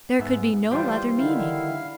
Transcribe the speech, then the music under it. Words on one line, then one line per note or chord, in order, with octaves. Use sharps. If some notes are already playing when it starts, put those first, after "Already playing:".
There could be no other meaning.
G#2 B3 E5
E3 G3 F4 G4 C5 C6
D3 D#3 E4 F5